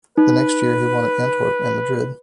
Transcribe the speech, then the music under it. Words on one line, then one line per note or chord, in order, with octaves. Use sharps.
The next year he won at Antwerp and Madrid.
D#4 B4